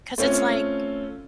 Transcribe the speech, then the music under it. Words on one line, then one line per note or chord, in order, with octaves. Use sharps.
'cause it's like
A3 C4 C#4 F4